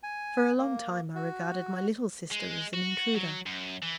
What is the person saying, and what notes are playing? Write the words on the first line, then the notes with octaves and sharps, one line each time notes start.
For a long time I regarded my little sister as an intruder.
G#5
A#3
F#4
G#3
F#4
F#3
F#2
E3